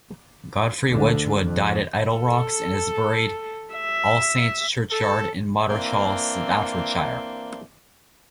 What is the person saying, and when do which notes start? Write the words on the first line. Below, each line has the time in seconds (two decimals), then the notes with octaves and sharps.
Godfrey Wedgwood died at Idlerocks and is buried All Saints Churchyard in Moddershall, Staffordshire.
0.87 D2 D3
1.42 F2
2.12 A4
3.74 E5
4.90 A4
5.70 E3 A#3 C4 D4